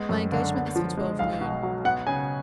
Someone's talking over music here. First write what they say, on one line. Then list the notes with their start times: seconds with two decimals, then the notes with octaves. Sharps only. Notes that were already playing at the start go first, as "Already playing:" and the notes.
My engagement is for twelve noon.
Already playing: G#3 B3
0.09 F#2
0.32 D3
0.54 B3
0.76 F3
0.97 G#3
1.19 B1 F5
1.41 B2
1.63 F#3
1.84 B3 F#5
2.07 C#3 G#5